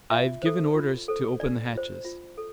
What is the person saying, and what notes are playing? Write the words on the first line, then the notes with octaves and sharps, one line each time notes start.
"I've given orders to open the hatches."
F4 E5
A4 C5
F4
A4 C5
D4 D5
F4 C5
F4
A4